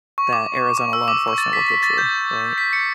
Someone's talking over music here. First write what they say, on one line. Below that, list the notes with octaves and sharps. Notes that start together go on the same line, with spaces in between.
that Arizona law enforcement will get you, right?
C#6
D6
C#6
E6
D6
D6
C#6
A6
B6
B6
A6
G6
B6
C#7